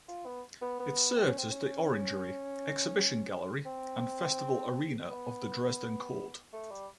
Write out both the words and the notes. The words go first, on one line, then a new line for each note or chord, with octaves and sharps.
It served as the orangery, exhibition gallery and festival arena of the Dresden Court.
F4
B3
B3
B3
C4
C#4
C4
C#4
C4
B3
A3
G3